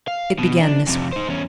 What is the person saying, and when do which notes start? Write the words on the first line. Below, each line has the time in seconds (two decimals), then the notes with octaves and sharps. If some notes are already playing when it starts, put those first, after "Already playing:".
It began this way.
0.08 F5
0.39 B2
0.59 D4
0.88 F2 C3
1.13 D#4 C5
1.28 E2 C#4